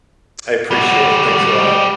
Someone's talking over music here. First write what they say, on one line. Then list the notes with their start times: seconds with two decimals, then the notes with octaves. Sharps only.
I appreciate it, thanks a lot.
0.71 G3 F#4